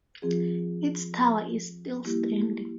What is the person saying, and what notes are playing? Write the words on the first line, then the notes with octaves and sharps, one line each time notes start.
Its tower is still standing.
F3 C4 F4 G#4
G3 A#3 E4 G4